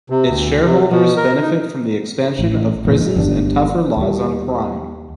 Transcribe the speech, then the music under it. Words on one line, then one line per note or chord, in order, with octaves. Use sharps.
Its shareholders benefit from the expansion of prisons and tougher laws on crime.
C3
D2
C3
B2
A#4
D#4
A1
E1 A#2 E3
G#3
G1 G2 C#4 D4
D#2 G3